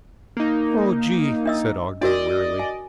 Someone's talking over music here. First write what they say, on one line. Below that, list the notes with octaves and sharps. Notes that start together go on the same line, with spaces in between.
"Oh, Gee," said Ogden wearily.
A#3 D#4
D4 D#5 E6
D4 F#4 A#4 D5 D#5
G#5